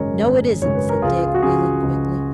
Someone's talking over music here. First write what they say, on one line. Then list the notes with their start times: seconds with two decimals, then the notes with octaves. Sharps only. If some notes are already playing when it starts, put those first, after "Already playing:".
'No, it isn't,' said Dick, wheeling quickly.
Already playing: G#1 F#2 C#3 G#3 A#4 C#5 D#5
0.23 G#1
0.62 F#2 C#3 G#3 C#5
0.75 B4
0.89 A#4
1.02 C#2 F4 G#4
1.27 F4
1.35 F#4
1.43 C#3 F3 F4 G#4
1.83 C#2